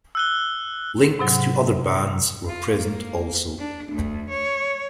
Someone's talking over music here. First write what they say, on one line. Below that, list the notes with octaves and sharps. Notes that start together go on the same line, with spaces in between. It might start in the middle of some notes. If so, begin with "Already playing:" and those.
Links to other bands were present also.
E6 F#6 G7
G#2 C3 F#3
F4
A#3
D4
D2
C#5